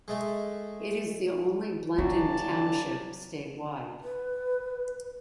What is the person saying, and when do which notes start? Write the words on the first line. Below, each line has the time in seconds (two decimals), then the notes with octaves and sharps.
It is the only Blendon Township statewide.
0.08 G#3 A3
1.98 G1 F#3 F4 D5 A5
4.03 B4